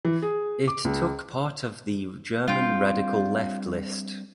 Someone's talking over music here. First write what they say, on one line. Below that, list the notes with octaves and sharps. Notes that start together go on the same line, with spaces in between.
It took part of the German radical left list.
E3
G#4
D6
C#2
G3 C4 D4 F4 G5